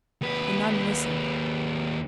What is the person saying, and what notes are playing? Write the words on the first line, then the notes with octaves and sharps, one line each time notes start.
The nun listened.
D#2 B4